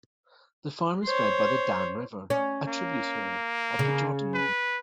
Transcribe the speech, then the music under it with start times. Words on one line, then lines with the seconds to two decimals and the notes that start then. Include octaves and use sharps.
The farm is fed by the Dan River, a tributary of the Jordan River.
1.04 C5 C#5
2.30 C#4
2.68 A#3
3.79 C#3
4.34 B4